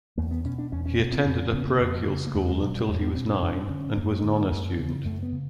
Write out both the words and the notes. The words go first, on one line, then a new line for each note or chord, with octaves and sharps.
He attended a parochial school until he was nine and was an honor student.
E2 A#3
B3
B2 C#4
D4
E2 C#4
C#4
B2
C4
F2 C4
C#3 B3
A#3
F2
C#3
A#3
E2 A3
G#3
B2 F#3
G3
E2 G#3
B3
B2 C4
C#4
F#2 D4
D3 C#4
F#2 A#3
D3
F#2
C#3
F#2 A3
B3
C#3